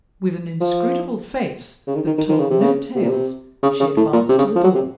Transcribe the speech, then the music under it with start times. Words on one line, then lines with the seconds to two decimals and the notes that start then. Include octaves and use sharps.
With an inscrutable face that told no tales, she advanced to the door.
0.60 F3
1.87 C#3
1.95 D#3
2.07 D#3
2.18 D#3
2.29 D#3
2.39 C#3
2.50 C3
2.60 C#3
2.95 C3
3.02 A#2
3.09 C3
3.63 C#3
3.80 C#3
3.97 A2
4.12 A#2
4.29 C3
4.39 C#3
4.55 F3
4.64 F#3
4.75 C3